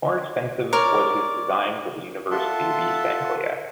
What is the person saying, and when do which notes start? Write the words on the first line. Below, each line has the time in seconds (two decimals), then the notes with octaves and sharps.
More extensive was his design for the University of East Anglia.
0.73 A#4 C#5 D5
2.31 F4 A4 E5 F#5 A5 C6